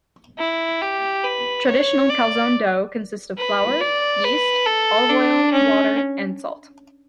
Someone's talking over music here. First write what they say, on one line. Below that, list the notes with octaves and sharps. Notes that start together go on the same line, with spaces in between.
Traditional calzone dough consists of flour, yeast, olive oil, water and salt.
E4
G4
B4
C#5
D5
B4
D5
B4
A4
D4
C#4